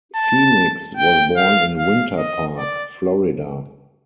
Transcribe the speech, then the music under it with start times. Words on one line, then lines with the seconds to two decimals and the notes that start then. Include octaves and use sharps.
Phoenix was born in Winter Park, Florida.
0.15 A5
0.97 G5
1.37 F5
1.78 F5
2.17 D#5
2.58 D5